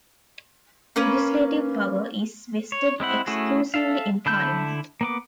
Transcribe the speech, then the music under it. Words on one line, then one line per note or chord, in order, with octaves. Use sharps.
Legislative power is vested exclusively in Parliament.
A#3 C#4 B4
C#5
G#3 C4 E4 F#5
A3 C#4 E4 F#4 G#4
A4 E5 F5
D3 E4 A5 G6
A#3 B3 D6